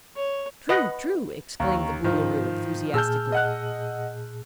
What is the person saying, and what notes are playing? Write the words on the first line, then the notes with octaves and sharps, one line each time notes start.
"True--true!" exclaimed the Boolooroo, enthusiastically.
C#5
B4 D#5 F#5
D#2 F5 A#5 C#6
G#2 D#3 F3
A#2 G#4 A5 E6 F6 G6
D#5 F#5 F#6